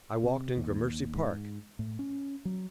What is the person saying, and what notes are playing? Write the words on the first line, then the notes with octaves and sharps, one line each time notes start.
I walked in Gramercy Park.
C3
D#2
G#2
A2
C#4
F#3